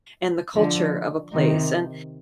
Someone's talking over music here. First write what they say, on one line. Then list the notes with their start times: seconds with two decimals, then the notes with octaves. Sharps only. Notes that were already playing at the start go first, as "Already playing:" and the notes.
and the culture of a place." And,
0.56 D3 F3
1.34 C3 D#3